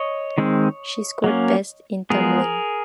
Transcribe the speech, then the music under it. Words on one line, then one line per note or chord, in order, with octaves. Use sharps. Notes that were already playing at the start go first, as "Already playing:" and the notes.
She scored best in tumbling.
Already playing: C#5 D#5
D#3 G#3 C4
F#3 A#3 C#4
F3 G#3 B3 G#4 A#4